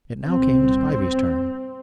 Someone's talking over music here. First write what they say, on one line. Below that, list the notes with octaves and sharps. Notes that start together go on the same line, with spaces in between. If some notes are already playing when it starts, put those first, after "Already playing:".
It now came to Spivey's turn.
C2 A#2 C4